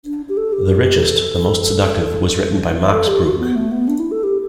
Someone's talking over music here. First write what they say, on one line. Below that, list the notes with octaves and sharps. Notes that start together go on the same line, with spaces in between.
The richest, the most seductive, was written by Max Bruch.
D4
G4
A4
G4
A4
A4
G4
F#4
B3
A3
B3
D4
E4
A4
G4